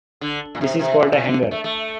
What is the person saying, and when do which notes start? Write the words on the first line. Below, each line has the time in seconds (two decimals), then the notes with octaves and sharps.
This is called a hanger.
0.21 D3
0.55 A#2
0.61 C3
0.79 C3
1.00 A#2
1.12 A#2
1.25 D3
1.51 A3
1.64 A3